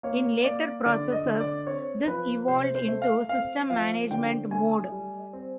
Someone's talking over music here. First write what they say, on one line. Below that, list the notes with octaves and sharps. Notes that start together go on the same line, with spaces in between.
In later processors, this evolved into System Management Mode.
A#3 C#5
A#3 D5
D3 D5
D#5
D3
D5
C4 C#5
F3 B4
C3 C5
C5
A3
F5
C4 F5
F3 F5
D3 G5
A3 G#5
G3
C4